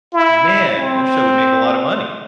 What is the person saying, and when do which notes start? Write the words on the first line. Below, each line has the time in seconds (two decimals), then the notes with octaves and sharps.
Man, your show would make a lotta money.
0.14 E4
0.79 C4